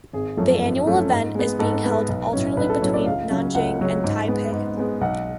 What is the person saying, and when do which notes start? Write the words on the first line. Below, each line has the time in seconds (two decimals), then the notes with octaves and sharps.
The annual event is being held alternately between Nanjing and Taipei.
0.13 G#1 G#4
0.37 F#2 F3 A3 C#4
0.62 G#1
0.86 F#2 F3 A3 C#4
1.11 G#2
1.35 G#3 B3
1.59 G#2 A4
1.84 G#3 B3 B4
2.08 B1
2.33 A2 F#3 C#4
2.57 B1 B4
2.69 A4
2.82 A2 F#3 C#4 C#5
2.94 D5
3.06 C#2 F5
3.30 C#3 F#3 C#4
3.55 C#2 F#5
3.79 C#3 F#3 C#4
4.04 G#2
4.28 G#3 B3
4.53 G#2
4.77 G#3 B3
5.01 B1 F#5